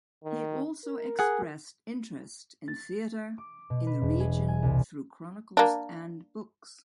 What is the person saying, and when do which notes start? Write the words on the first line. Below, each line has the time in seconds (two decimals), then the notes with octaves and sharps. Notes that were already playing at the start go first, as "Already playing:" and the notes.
He also expressed interest in theatre in the region through chronicles and books.
0.24 D#3
0.85 A#4
1.19 G#4 F#5
2.68 A6
3.38 D6
3.70 B2
3.87 B4
4.01 E1
4.20 G#4
4.48 G#5
4.63 C2
5.57 A#3 D4